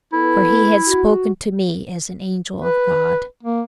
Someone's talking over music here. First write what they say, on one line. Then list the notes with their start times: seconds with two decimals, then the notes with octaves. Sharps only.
For he had spoken to me as an angel of God.
0.13 B3 E4 A4 B4
0.87 F#4
2.61 B4
3.43 A#3